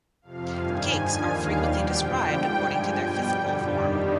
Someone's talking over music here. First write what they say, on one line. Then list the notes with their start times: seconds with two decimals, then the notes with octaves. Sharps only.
Cakes are frequently described according to their physical form.
0.22 F2 C3 F3 F5
0.56 G2 D#3 G3 G#5
0.90 D#2 D3 F3
1.24 D#2 D#3 G3 F5
1.58 B2 G3 G5
1.91 F2 D3 F3
2.25 G#2 G3
2.59 G2 F3 G#5
2.93 B2 G3 G5
3.27 F2 D3 G3
3.60 G2 D#3 G3